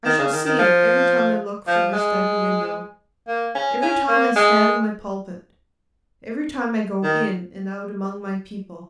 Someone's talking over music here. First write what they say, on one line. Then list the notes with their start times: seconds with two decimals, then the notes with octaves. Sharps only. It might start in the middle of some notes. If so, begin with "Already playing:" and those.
I shall see it every time I look from my study window--every time I stand in my pulpit--every time I go in and out among my people.
0.05 D#3
0.18 C#3
0.32 D#3
0.45 D#3
0.59 F3
1.67 F3
1.93 G#3
3.27 A#3
3.55 C#4
3.81 C#4
4.08 A#3
4.35 G#3
7.03 D#3